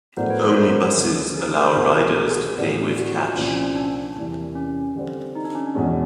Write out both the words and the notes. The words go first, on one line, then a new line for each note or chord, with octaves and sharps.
Only buses allow riders to pay with cash.
A2 F#3 B3 D4 A#4 C5
B4 C#5
C5
C#5
A#4 C5
D2 C#3 F#3
G#4 A#4
G#4 A#4
A#4 C5
C2 B2 F#3 A#4
B4
G#4 A#4
A4
G#4
A2 E3 G3 B3
F#4
F4
C2 A#2 F3 C#4
C#4
D4
E2 C3 E3 G3 A#3
C#4
D3 G3 C4
D#4
D4
C#4
D4
E2 B2 G#3 C#4